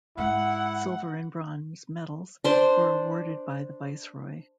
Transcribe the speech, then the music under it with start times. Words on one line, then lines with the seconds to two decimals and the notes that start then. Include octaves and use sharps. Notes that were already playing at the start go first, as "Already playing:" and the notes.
Silver and Bronze medals were awarded by the Viceroy.
0.17 G#2 G#3 E4 F#5
2.44 D4 C5